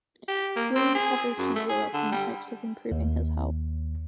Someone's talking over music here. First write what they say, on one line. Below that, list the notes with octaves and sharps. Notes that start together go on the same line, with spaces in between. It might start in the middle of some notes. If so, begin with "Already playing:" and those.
Greene traveled to Europe in the hopes of improving his health.
G4
A#3
C4
G#4
F#2
A3
G#4
D3
G3
D#2